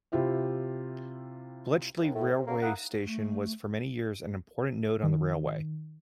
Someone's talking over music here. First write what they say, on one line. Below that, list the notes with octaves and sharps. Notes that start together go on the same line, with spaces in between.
Bletchley railway station was for many years an important node on the railway.
C3 E4 F4 G4 E5
D#2
A2
C3
C#3 A#3
A3 A#3 D#4 E4 F5 F#5
A3
D#3